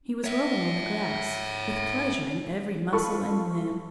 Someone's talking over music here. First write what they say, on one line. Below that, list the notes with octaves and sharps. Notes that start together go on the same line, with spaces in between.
He was rolling on the grass, with pleasure in every muscle and limb.
C#5 E5
F4 A4 B5 C#6